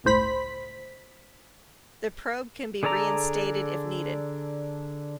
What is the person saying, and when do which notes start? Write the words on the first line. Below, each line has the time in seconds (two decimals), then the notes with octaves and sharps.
The probe can be reinstated if needed.
0.04 G1 C#2 A2 C5 B5 B6
2.83 D3 G#4 A4 D5 A#5